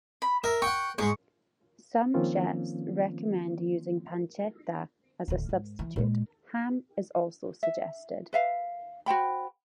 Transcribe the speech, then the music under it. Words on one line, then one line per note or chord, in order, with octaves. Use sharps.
Some chefs recommend using pancetta as a substitute; ham is also suggested.
B5
A#4 E5
F#5 G5 C#6
G#2 G#3 C#6
D#3 F3 A#3 C4 C#4 F4
D1 D2
G#2
E3
A#2 G#3
E5
B4 E5 F5
F#4 C5 G5 B5